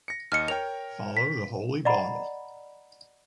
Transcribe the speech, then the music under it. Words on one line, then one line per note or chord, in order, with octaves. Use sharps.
Follow the holy bottle!
A#6 C#7
D#2 D#5 F6 C#7
A#4 C#5 G5 F7
B6
D5 D#5 F#5 A#5 B5